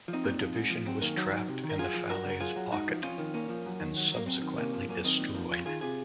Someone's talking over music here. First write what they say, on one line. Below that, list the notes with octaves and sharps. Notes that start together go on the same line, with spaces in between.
The division was trapped in the Falaise Pocket and subsequently destroyed.
F3
C4 D#4
A#2
F3
G#2
F3
F#2 C4
D#3 A#3 C#4
F#3 D#4 F#4
F#3
C3
D#3
A#4
F#2 F4 G#4
F3
F#2 F#4 A#4
C#3
A#4
F#3 F4 G#4
F#3
G#2 D#4 F#4
F3
F2 C#4 F4
D#3
A#2 A#3 C#4
F3
F#2
D#3
F#3
F#3 A#3
F#2 C4
D#3
C3 A#3 C#4
F3
F#2 A#3 C#4
D#3 C4 D#4
A#2
F3
F2 C#4 F4
D#3 F4 G#4
C3 F4 G#4